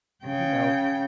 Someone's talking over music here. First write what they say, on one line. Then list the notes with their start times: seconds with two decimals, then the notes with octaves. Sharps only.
you know,
0.25 C#3 G5